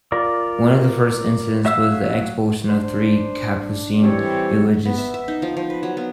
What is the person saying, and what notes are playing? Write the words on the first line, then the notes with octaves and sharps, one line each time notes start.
One of the first incidents was the expulsion of three capuccine religious.
F4 A#4 D5
F#3 E5 F5 E6
D4 C5
E3 G3 C4 G4 A4 C#5
B3
E5
E5
D#4
F3
F3
B4
F#3
B3